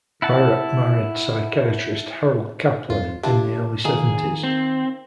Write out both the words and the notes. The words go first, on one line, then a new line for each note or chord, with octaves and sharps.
Barrett married psychiatrist Harold Kaplan in the early seventies.
E4 F#5 A5
F2 F4
D4 E4 F4 G4
D#3 A#3 G#4
C4